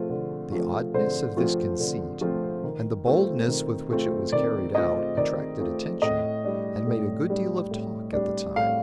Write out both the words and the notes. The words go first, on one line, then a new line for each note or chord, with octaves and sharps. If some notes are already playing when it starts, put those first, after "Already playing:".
The oddness of this conceit, and the boldness with which it was carried out, attracted attention, and made a good deal of talk at the time.
Already playing: F3 A3 C4 F4
D3
F3 A3 C4 F4
D3 C5
F3 A3 C4 F4
D3
F3 A3 C4 F4
D#3
A3 C4 F4
D#3
A3 C4 F4
D#3 D5
A3 C4 F4 D#5
D#3 D5
A3 C4 F4
A2 D#5
G3 D4
A2
G3 D4
A2
G3 D4
A2 F5